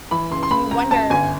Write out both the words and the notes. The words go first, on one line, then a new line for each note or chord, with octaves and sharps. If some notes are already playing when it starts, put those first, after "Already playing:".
you wonder
E3 B5
C#2 C6
C6
C#2 B5
C#2 A#5
F#2 A5
G1 G#5